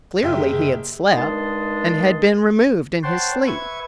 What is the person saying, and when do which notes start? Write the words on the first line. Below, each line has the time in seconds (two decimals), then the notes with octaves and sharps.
Clearly he had slept, and had been removed in his sleep.
0.22 F#1 G#3 G4 G#4 E5
1.11 G2 D#3 G#3 A5 C6 D#6
3.03 C5 C#5 F#5 G5 A5 C6
3.47 B4 E5 C#6 G#6